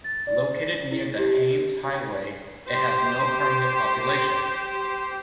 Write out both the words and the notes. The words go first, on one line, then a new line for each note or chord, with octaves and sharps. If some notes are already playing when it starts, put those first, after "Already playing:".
Located near the Haines Highway, it has no permanent population.
A6
D5
E4
G4
G4 C5